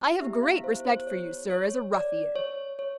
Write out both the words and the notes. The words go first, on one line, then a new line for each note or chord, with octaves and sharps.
I have great respect for you, sir, as a ruffian.
B3 E4 G4 E5
F5
C5
C5
C#5
C#5
D5
C#5
C#5